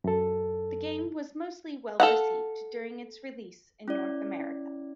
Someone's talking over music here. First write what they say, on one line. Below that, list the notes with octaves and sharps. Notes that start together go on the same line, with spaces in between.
The game was mostly well-received during its release in North America.
F#2 A4
A4 F5 F#5
C#4 E4 D5